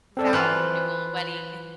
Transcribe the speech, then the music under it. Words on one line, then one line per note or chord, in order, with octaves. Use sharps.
vow renewal wedding,
C4 A4 D5
E3 F3 F4 B5 F#6